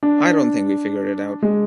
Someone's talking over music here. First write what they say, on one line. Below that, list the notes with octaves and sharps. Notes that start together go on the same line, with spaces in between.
I don't think we figured it out.
D4
G#3